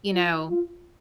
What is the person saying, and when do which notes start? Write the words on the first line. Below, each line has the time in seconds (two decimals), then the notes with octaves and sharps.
you know,
0.14 F4
0.50 F4